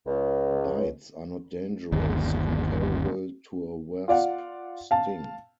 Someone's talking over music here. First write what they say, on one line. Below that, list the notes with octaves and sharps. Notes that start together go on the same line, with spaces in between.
Bites are not dangerous; comparable to a wasp sting.
C#2
G1 D#2
F4 D5 F5 F#5
F5 A5